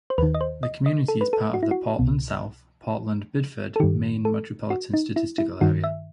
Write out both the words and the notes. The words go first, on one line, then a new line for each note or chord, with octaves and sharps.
The community is part of the Portland-South Portland-Biddeford, Maine Metropolitan Statistical Area.
C5
D#2 D#3 B4
D#5
C5
D#5
D#5
A4
B4
A4
F#4
E4
F#4
C2 B2
A4
G2 D#3 G4
A4
F#4
D#4
E4
E4
G2 D#3 F#4
E5